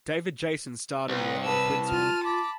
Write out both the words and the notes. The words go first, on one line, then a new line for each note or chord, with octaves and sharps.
David Jason starred in the role of Rincewind.
C2 B4
B4 A5 E6
F4 F6 D#7
A5 B5 D6